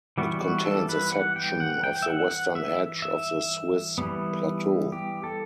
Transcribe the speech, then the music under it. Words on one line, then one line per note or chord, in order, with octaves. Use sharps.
It contains a section of the western edge of the Swiss Plateau.
E3 G3 B3 F#4
F#4
A4
B4
F#5
G5
F#5
G5
E5
F#5
F#5
E5
E5
E3 G3 B3
G4
A4